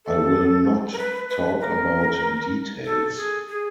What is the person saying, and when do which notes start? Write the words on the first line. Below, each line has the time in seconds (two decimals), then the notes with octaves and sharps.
I will not talk about details.
0.05 A4
0.93 A#4
0.98 B4
1.30 B4
1.61 A#4
2.85 A4
3.16 G#4
3.47 G#4